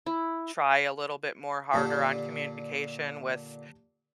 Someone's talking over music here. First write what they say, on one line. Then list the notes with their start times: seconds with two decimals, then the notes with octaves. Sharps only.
try a little bit more harder on communication with
0.06 E4
1.73 A#2 D3 G4 A5